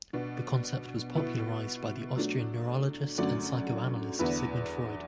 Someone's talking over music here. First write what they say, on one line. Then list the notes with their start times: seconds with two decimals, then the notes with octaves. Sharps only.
The concept was popularized by the Austrian neurologist and psychoanalyst Sigmund Freud.
0.13 B2 B3 D4
1.15 B2 B3 E4
2.16 F#3 A3 D4
3.18 F#2 D3 A3 F#4 D5
4.19 E2 D3 B3 E4 B4